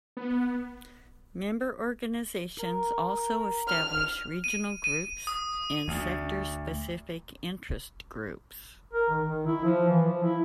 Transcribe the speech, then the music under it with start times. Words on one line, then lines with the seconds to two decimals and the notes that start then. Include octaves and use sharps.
Member organizations also establish regional groups and sector specific interest groups.
0.17 B3
2.60 A#4
3.68 F6
4.44 D#7
4.84 D#7
5.27 D#6
5.88 D2
8.93 A#4
9.09 D#3
9.27 D#3
9.46 E4
9.64 F3
9.89 E3
10.05 F3
10.23 E4